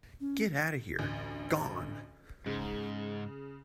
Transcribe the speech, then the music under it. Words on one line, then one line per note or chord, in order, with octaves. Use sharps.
Get outta here - gone!
C#4
A1 D2
G#2 C#3